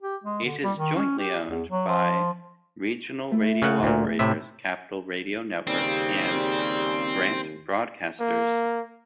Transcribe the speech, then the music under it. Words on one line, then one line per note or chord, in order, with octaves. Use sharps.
It is jointly owned by regional radio operators Capital Radio Network and Grant Broadcasters.
G4
G#3
D3
G3
D#3
C#4
G4
E2
F#3
F3
A3 E4
C#3 F#5
D2 A#2
A2 C3 E5
D#2 C#3 G3 C4
A#3